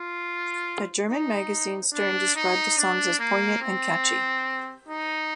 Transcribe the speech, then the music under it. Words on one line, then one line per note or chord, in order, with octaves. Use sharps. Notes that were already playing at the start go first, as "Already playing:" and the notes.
The German magazine "Stern" described the songs as poignant and catchy.
Already playing: F4
D#4
D4
D#4
D4
A#3
C4
D#4